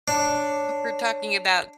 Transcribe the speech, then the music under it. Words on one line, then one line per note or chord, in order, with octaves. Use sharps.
we're talking about,
D4 C#5